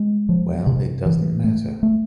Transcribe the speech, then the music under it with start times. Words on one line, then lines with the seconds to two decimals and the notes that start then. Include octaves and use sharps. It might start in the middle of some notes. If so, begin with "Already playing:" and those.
Well, it doesn’t matter.
Already playing: G#3
0.29 F3
0.67 C3
1.06 E3
1.44 A3
1.83 A3